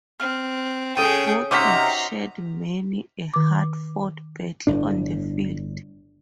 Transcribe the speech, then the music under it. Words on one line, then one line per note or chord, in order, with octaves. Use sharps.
Both have shared many a hard fought battle on the field.
C4 F6
C#3 G#4 A4 G5 A5 D#6 D#7
C3 D#4 F#4 C5 A#5 D6 F6 B6
D#3 D6
G1 A2 D4